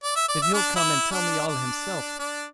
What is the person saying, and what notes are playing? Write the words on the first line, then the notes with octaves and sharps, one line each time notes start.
But he'll come and tell me all himself.
D5
E5
D5
E5
D4 D5
E4 E5
D4 D5
D4 D5
D4 D5